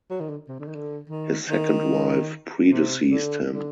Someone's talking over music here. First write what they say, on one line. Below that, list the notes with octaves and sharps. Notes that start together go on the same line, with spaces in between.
His second wife predeceased him.
F#3
D#3
D3
C3
D3
D#3
D3
D#3
D#3
C3
D3
D3